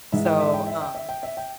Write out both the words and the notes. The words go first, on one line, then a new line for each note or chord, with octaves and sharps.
So, um,
G#2 E3 G#3 E5
G5
E5
G5
E5
G5
E5
G5
E5
G5